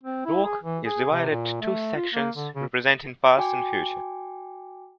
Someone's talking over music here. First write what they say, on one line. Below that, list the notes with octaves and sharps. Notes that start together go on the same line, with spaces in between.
The work is divided two sections representing past and future.
C4
E4
G#4
E3
G#4
C3
A#2
A3
F4
A#3
D3
C#3
F#4 G5 G#5 D6